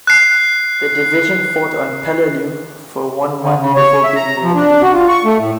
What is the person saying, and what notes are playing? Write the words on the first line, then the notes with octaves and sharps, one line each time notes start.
The division fought on Peleliu for one month before being relieved.
F#6 C7
D3
C#3
C#5
E5
A#5
F3
D4
F#4
F4
C#6
A3
A2